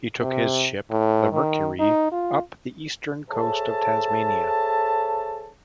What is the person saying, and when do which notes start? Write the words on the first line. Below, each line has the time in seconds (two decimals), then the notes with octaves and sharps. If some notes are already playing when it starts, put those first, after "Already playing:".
He took his ship, the "Mercury", up the eastern coast of Tasmania.
0.22 C3
0.91 A2
1.32 D#3
1.80 D#4
2.12 F4
3.30 G#4 A4 C5 C#5 E5 A5